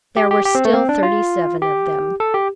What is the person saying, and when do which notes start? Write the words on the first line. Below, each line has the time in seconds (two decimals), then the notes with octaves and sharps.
There were still thirty-seven of them.
0.17 G4
0.31 G4
0.45 G4
0.55 C4
0.65 A3
0.74 C4
0.89 D4
1.03 F4
1.62 G4
2.20 A4
2.34 G4